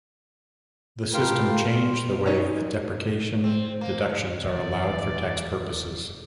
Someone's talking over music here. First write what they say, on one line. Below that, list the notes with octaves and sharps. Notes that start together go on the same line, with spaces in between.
The system changed the way that depreciation deductions are allowed for tax purposes.
A3 A#3 F4 G4 A#4 B4
C#4 D#4 C#5 D5 A#5
C4
A#3
G#3
E1 D5